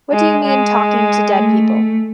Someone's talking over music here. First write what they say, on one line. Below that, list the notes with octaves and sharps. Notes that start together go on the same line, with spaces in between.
What do you mean talking to dead people?
G#3
G#3
A3